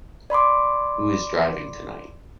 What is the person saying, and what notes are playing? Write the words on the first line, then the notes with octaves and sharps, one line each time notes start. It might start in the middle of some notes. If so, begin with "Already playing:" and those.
Who is driving tonight?
D5 B5 C6 D6